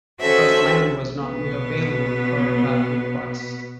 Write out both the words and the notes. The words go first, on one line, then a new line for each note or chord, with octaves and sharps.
But land was not made available per that request.
C#4 F#4 A4 C5 E5
B2 B3